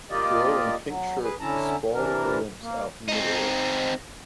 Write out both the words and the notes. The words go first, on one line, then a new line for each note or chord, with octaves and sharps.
A girl in a pink shirt is sprawling her limbs out in midair.
A#3 F4 G4 D5 D#5
F#3
G#4 B4
D3 C#4 E4 A5 A#5
C3 E3 D4 A#4
A#3
C4 D#4